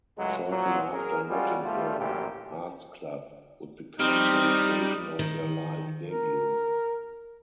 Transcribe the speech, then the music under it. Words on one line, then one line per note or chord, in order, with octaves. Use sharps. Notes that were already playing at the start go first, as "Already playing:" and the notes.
Shortly after Notting Hill Art's Club would become the location of their live debut.
C#2 A2 F#3 G#3
A#2 F3 F#3
G#4 A#4
G3 G#3 C#4 F4 F#4
G#1 G3 A3 F4
A1 F#2 A#2 F3 G4
G3 C4 D#4 F6
D#3
A#4